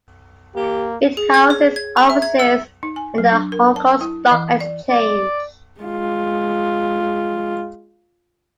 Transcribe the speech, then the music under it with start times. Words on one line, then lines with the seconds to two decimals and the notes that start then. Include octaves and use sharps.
It houses offices and the Hong Kong Stock Exchange.
0.55 A#3 G4
1.17 G#4
1.34 G#6
1.50 C#5
1.76 G#6
1.97 A#5
2.10 E5
2.22 G#6
2.39 E6
2.83 D#4
2.96 G#5
3.18 F#3
3.32 D4
3.52 A#4
3.76 A5
4.01 E4
4.31 E3
4.61 D5
4.90 D5
5.80 G#3 F4